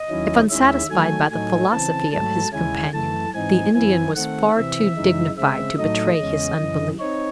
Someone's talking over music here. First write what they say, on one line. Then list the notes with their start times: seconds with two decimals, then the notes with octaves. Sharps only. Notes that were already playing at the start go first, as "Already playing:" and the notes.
If unsatisfied by the philosophy of his companion, the Indian was far too dignified to betray his unbelief.
Already playing: D#5
0.10 D#2 D#3 F#3 C#4 E4
0.50 D#2 D#3 G#3 C#4 E4 E5
0.90 D#3 F#3 A3 G#5
1.31 A2 F#3 A3 D#4 G#5
1.71 C#3 E3 C4 A5
2.12 G#2 F#3 A3 A5
2.53 D#2 C#3 G#3 C#4 E4 G#5
2.93 F#2 E3 A3 A5
3.34 G#2 E3 C4 D#4 G#5
3.75 F#2 E3 C4 E4 G#5
4.15 D#3 A3 C4 F#5
4.56 C3 E3 C4 E5
4.97 F#2 C#3 E3 G#3 D#4
5.37 C#3 G#3 C4 E5
5.78 A2 F#3 A3 D#4 D#5
6.19 E2 C#3 G#3 C#4
6.59 F#2 C#3 E3
7.00 C4 D#4 C#5